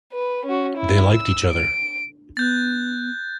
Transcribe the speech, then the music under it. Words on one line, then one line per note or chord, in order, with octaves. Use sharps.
They liked each other.
B4
C#4 F#4
E4
E6
D7
B3 F#6 G6 A6